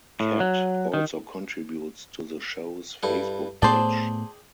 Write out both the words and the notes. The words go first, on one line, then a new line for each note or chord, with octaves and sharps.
Katt also contributes to the show's Facebook page.
A2
F#3
D#3
G2 E4 A4
A2 A3 B3 G#4 C5 D5 G5 A5